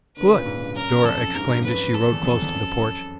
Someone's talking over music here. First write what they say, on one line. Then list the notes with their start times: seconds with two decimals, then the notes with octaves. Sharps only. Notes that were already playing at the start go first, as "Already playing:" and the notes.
"Good!" Dora exclaimed as she rode close to the porch.
0.16 D3 B4
0.26 C#3
0.37 A#2
0.45 G#2
0.56 G#2
0.61 G2
0.75 F#2 A#4
1.05 F2 A4
1.20 F#2
1.34 G#2 A#4
1.39 G2
1.44 G#2
1.54 F#2
1.64 F2 B4
1.94 A4
2.12 E2
2.23 F2
2.42 F2
2.53 F#2